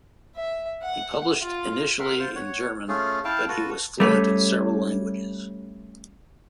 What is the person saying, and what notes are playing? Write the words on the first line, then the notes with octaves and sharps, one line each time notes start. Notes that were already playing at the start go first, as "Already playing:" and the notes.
He published initially in German but he was fluent in several languages.
E5
F#5
F4
A#4 E5 F#5 C6
F4 C5
C#5 F#5
A3 C#4 F4 G#4
E4 F5 G5 A5
F4 F#4 A4 B4
G3 A3 C#4